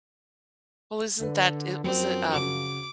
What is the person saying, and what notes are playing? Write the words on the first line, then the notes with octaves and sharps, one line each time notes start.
Well, isn't that it was, uh, um,
D3 A4 B4
F#2 F3 F#3 C4
C#3 F#4 D6